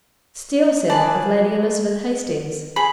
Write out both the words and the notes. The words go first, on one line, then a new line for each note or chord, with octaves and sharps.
'Steele said it of Lady Elizabeth Hastings.'
G#4 B4 D5 A5
G#4 B5